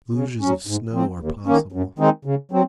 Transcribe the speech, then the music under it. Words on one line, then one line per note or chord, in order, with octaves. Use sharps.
Deluges of snow are possible.
C#3
F#3 C#4
G#2
F3 C4
D#2
D#3 A#3 C#4
F#2
D#3 G#3 C4 D#4
C#3
F#3 C4